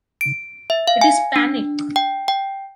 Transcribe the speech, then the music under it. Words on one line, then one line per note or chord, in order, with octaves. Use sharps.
It is panic!
D7
E5
F5
G#5
D4
G5
G5